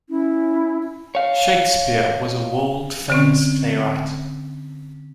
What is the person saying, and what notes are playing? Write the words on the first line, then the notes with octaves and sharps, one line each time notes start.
Shakespeare was a world-famous playwright.
C#4 E4
C#5 F5
D3 C4 C#4